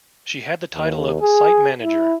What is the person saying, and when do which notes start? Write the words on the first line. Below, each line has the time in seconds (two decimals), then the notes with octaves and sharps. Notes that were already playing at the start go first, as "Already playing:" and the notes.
She had the title of "Site Manager".
0.74 D#2
1.21 G#4
1.82 E4